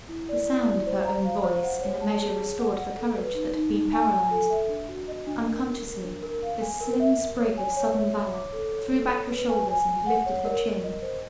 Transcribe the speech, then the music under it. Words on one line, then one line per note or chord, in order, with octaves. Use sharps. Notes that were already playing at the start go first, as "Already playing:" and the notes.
The sound of her own voice in a measure restored the courage that had been paralyzed. Unconsciously this slim sprig of southern valor threw back her shoulders and lifted her chin.
E4
D5
E4
D5
C5
A#5
F5
C5
F#5
C#5
A5
G#4
C#5
F#5
F#5
A4
B4
D#4
D#4
D#4
G#5
G#5
A4
E5
D4
F#4
D#5
D4
A#4
A#4
A#4
D4
A#4
F5
G#5
A#4
E5
A#4
C#5
G#5
C#5
E5
C#5
D6
A4
C#5
A4
C#5
B4
G#5
G#5
G#5
F#5
C#5
A#4
A#4
D#5
C5